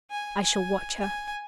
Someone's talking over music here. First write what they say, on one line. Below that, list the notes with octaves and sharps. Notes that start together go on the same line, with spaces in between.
I shall watch her.
G#5
G#5
G#5